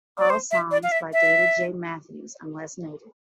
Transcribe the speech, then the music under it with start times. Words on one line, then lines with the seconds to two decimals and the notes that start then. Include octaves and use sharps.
All songs by David J. Matthews unless noted.
0.18 D5
0.30 C5
0.51 E5
0.71 D5
0.83 F5
0.92 E5
1.13 E5